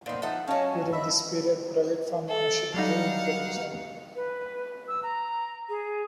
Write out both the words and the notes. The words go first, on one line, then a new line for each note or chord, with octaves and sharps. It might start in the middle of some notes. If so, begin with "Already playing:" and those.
During this period, private farm ownership grew in the region.
A#2 B3 D#4 C5
F3 D#4 A4 E5 F#5
F#3 C#4 D#5 F5 G#5 A5
D#5 E5 B5
A4
F#3 G3 D#4 F5 F#5
B4
E6
A#5
G#4